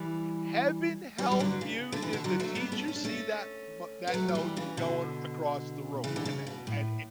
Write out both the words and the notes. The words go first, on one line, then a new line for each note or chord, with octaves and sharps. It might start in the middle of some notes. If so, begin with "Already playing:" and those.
heaven help you did the teacher see that ma that note going across the room and a and
Already playing: E3 G3
E3 G3
G3
D3 F#3
C#3
D3
E3
B2 D3
D3 F#3
F#3 A3
G3 B3
A3 C#4
C#4
D4
A3 C#4
B3
F#3 A3
A3
E3 G3
C#3 E3
B2 D3
C#3 E3
D3
C#3
B2
A2